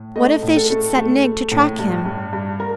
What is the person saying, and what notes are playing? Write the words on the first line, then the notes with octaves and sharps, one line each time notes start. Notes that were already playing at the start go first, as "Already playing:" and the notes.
What if they should set Nig to track him!
Already playing: A2
A3 D#5
A2
A4
A3
A3
A3
A2
G2
G2
G2
A#4